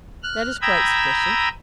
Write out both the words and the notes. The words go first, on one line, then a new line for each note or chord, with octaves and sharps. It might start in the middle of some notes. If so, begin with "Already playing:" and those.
'That is quite sufficient.
F6 F#6
G5 A#5 B5 D#6 E6 G#6